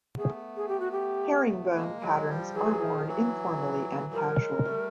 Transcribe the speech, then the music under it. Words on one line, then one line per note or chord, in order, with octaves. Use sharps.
Herringbone patterns are worn informally and casually.
A3 B3 G#4
G#4
G4
F#4
G4
G#3 A#3
F#3 G#3
F3 G3
E3 F#3 G#4
D#3 F3
E3 F#3
F3 G3 A#4
F#3 G#3
G3 A3